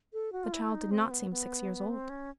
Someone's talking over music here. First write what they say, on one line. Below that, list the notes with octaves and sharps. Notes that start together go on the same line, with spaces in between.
The child did not seem six years old.
A4
F#4
F4
E4
D#4
C4
B3
B3
C4
C#4